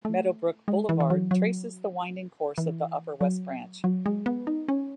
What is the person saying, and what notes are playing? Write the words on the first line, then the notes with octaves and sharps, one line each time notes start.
Meadowbrook Boulevard traces the winding course of the upper west branch.
A3
G#3
E3
E3
F#3
F#3
E3
F#3
F#3
G#3
B3
D#4
C#4